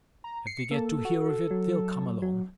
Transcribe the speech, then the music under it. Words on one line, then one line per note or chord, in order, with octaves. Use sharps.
If they get to hear of it they'll come along.
A#5
C7 C#7
A#3 A4
F#4
F#3
F#3